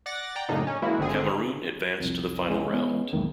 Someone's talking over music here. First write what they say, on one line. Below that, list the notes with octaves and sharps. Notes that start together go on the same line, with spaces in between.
Cameroon advanced to the Final Round.
D5 F#5 A6 A#6
D5 G5 A#5
F#2 A2 C#3 A#3 D4 D#4
C#4
E3 G#3 A#3 E4 F#4
G#1 D3 C4 G#4
C2 F2
E3 G#3 C#4
B3
B1 E2 D#3 G#3 A#3